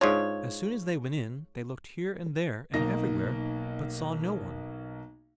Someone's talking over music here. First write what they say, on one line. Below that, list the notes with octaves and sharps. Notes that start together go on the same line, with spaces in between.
As soon as they went in, they looked here and there and everywhere but saw no one.
G#2 D4 F4 G#4 C#5
B1 A#3 D#4 A#6